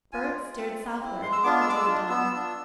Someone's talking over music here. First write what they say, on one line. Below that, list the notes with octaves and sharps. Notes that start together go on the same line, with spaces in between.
Bert stared southward into the dawn.
F4 G#5
G#3
C4 F4
G#3
C4 E4
G#3 C6
E6
B3 D4 F4 D6
E6
G#3 D6
E6
D4 F4
B3 E6
D4 F4